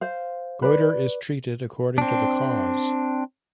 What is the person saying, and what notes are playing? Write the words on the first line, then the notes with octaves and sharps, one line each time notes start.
Goitre is treated according to the cause.
C5 F5
B4 D5
C4 D4